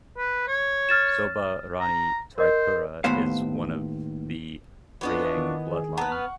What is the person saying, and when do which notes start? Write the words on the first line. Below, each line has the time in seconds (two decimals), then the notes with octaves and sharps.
Shobha Rani Tripura is one of the Reang bloodline.
0.17 B4
0.48 C#5
0.89 F6 A6 E7
1.80 A#5
2.38 A#4 C5 D#5
3.04 D#2 A2 B3 C5 F5
5.01 E3 B3 D4 F4 D#5 C#6
5.37 D#3
5.70 G#4
5.98 B3 B4 A5 A#5
6.12 F#5 C#6 F6